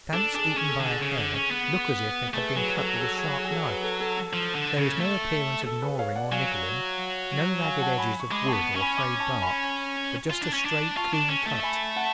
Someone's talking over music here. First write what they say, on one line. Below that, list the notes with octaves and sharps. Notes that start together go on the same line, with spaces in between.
Plants eaten by a hare look as if they had been cut with a sharp knife; there is no appearance of gnawing or nibbling, no ragged edges of wood or frayed bark, but just a straight clean cut.
D4 A4
D4 G#4
G#4
C#4
A4
D3
G#4
C#3
D3
C#4
B3
A3 G#4 B4
F#3 G#4 B4
F#3 A4
G#4
A4
G#4
G#4
G#4
A4
G#4 B4
A4
A4
A4
F3
D3
C#3
A3
A4
G#4 B4
C#5 F5
D5 F#5
F#3 F5 G#5
F5 G#5
F#5 A5
G#5 B5
C#6
G#3 B5 D6
A5 C#6
B3
C#4 C#6
G#5 B5
B5 D6
A5 C#6
G#5 B5
F4
D4
C#4
D4
F4 A5 C#6
D4
C#4
A3
G#5 B5
F#5 A5